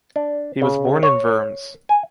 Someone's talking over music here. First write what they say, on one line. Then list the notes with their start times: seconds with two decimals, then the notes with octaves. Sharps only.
He was born in Worms.
0.16 D4
0.62 C#3
1.03 C#5
1.89 G#5